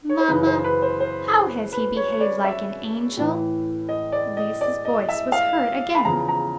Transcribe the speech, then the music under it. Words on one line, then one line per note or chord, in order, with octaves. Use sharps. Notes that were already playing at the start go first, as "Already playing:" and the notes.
"Mamma, how has he behaved like an angel?" Lise's voice was heard again.
C#5
C5
F#2 C#3 E3 B4
C5
B4
C5
C5
B4
C#5
C#5
D5
E5
A2 E3
D#5
D5
D#5
D5
D#5
E5
F5
B5
E2 C#3 F3 A#5
A#5